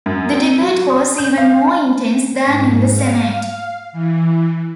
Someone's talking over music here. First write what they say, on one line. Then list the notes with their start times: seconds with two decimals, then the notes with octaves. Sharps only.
The debate was even more intense than in the Senate.
0.06 F#2
0.33 C4
0.61 F#3
0.90 D#6
1.18 G6
1.38 F5
2.45 G#2
2.93 F5
3.92 E3